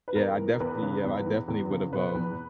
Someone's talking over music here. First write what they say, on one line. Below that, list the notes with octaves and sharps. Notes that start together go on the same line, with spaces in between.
yeah, I definitely yeah, I definitely would've, um
B4
E2 A#4
E3
A#4
E2 B4
C#3
E2
E3
E2
C#3
B2 B4
E2